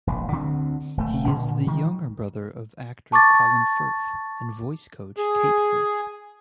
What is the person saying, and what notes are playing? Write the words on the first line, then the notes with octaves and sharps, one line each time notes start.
He is the younger brother of actor Colin Firth and voice coach Kate Firth.
E1 A#1
D2 D3 C4
D#1 A3
A#2 D3
D#3 F3 G#3
A5 C#6 D6 A6
G#4